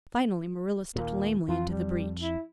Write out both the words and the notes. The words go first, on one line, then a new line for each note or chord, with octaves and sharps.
Finally Marilla stepped lamely into the breach.
D#2 A#2 A#3
F2 F4
G3
E4